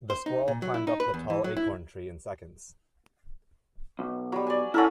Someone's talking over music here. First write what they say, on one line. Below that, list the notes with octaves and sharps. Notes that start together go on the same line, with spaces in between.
The squirrel climbed up the tall acorn tree in seconds.
C5
D#4
A#2
F#3
E4
D#4
B4
E2
E3
F#3
E4
B1
F#3 G3
D5 G#5
C#4 E4 A4 A#4 F#5